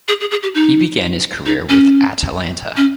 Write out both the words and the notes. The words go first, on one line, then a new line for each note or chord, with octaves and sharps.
He began his career with Atalanta.
G#4
G#4
G#4
G4
D#4
D#4
C#4
C#4